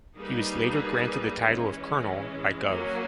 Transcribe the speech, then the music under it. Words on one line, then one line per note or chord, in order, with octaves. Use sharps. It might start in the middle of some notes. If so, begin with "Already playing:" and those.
He was later granted the title of "Colonel" by Gov.
G3 A#3 D#4 G#4 B4
E3 G#3 C#4
F#3 A#3 C#4